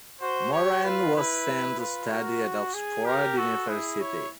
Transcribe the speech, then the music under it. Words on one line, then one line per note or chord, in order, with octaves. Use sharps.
Morand was sent to study at Oxford University.
F#4 C5
G4 C#5
F4 B4
E4 B4
F4 B4
F#4 A#4
G#4
G4 A#4
F#4 A4
E4 G#4
C#5